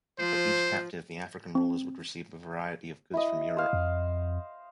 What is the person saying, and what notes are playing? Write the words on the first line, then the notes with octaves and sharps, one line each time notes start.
For each captive, the African rulers would receive a variety of goods from Europe.
F3 C5
C4
E4 D#5
C5 F5
F2